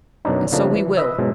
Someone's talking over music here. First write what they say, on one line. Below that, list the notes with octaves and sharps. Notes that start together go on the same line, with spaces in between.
And so we will!
F#2 B2 F#3 D4 D#4
C#3 F3 A3 A#3 D4 D#4
E3
B4 D#5 E5
G#2 B2 F#3 G#3